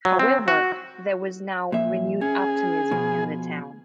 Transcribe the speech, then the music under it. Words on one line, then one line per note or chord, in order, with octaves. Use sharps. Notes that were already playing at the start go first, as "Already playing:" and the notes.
However, there was now renewed optimism in the town.
F#3
C4
F#4
A#2 F3 E5
C#4 G#4
B2 F3